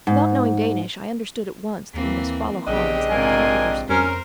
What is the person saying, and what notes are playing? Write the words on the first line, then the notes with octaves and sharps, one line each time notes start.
Without knowing Danish I understood at once that we must follow Hans at the top of our speed.
G#2
D#2 E3 A#3 C4
A#1 C#3 B3 C4 D4 G4 D#5
G#2 C3 F4 A#4 G#5
F2 C#4 A#4 C5